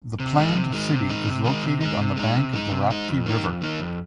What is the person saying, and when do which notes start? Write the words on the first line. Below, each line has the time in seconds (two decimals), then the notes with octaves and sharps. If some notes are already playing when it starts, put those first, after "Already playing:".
The planned city is located on the bank of Rapti River.
0.20 C3
0.37 D#3 G#3 D#4
0.55 C3
0.73 D#3 G#3 D#4
0.91 C3
1.09 D#3 G#3 D#4
1.27 C3
1.45 D#3 G#3 D#4
1.63 C3
1.81 G#3 D#4
2.00 C3
2.17 G#3 D#4
2.35 C3
2.53 G#3 D#4
2.72 C3
2.90 G#3 D#4
3.08 F2
3.26 D#3 A#3 D#4
3.44 F2
3.62 D#3 A#3 D#4
3.80 F2